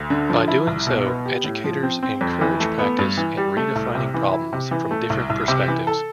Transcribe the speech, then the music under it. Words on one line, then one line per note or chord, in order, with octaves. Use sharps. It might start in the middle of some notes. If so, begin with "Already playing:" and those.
By doing so, educators encourage practice in redefining problems from different perspectives.
Already playing: D2
D3
F3
E4
C2
B2
B3
G4
A2
F3
C4
C4
F2
E3
A3
B3
G2
E3
G3
A3
C2
C3
E3
E4
C3
E3
A3
C2
C2
C3
E3
A4